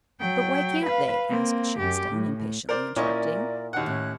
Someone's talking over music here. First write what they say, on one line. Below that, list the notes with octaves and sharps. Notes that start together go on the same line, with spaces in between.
"But why can't they?" asked Shenstone, impatiently interrupting.
F#3 G5
B4 F5
A#3 C4
F#2 G4
A2
A#4 C5 D5
A#2 C#4 E4 A#4 D5 D#5 C#6
D#2 B2 D#4 F#5
A2 C#4 F#6